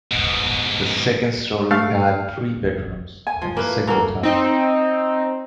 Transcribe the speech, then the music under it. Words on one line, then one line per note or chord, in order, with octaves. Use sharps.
The second story had three bedrooms and the signal tower.
G#2 B2
A3 F5
G#5
F3
A#3 E4 A#4 B4
E3 A#3 F#4 A4 A#5
C4 D#4